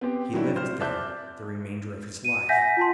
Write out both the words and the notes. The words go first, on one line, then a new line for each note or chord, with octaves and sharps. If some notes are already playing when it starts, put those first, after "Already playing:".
He lived there the remainder of his life.
B3 C4 G4
D#3 F#3 G3 D4 E4
C3 C5 F6
D5 E5 A5 D6 F#6 G6
D#7
E5 F#5 G#5 G6 A#6 B6
F4 A5 C6